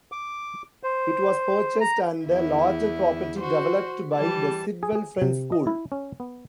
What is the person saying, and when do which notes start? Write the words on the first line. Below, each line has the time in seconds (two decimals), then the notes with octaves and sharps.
It was purchased and the larger property developed by the Sidwell Friends School.
0.12 D6
0.83 C5
1.81 A#5
2.26 E2 E4
3.39 F#4 C5
4.14 E3 G3 A5
4.83 G#4
4.95 G#4
5.22 C3
5.52 D#5
5.67 E4
5.92 C#4
6.20 B3